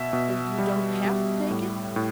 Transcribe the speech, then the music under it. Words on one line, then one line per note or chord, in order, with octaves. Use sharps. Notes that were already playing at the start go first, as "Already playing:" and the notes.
So you don't have to take it.
Already playing: B2 E5
B2
G3
G3
A2
A2